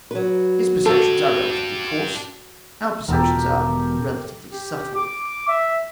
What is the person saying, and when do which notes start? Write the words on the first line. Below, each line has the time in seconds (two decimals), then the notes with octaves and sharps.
His perceptions are relatively coarse; our perceptions are relatively subtle.
0.11 F#3 B4
0.86 D4 F#4 G4 A4
3.08 E1 E2 B2 E3 G4 A4 A#4
4.53 G4
4.95 D6
5.48 E5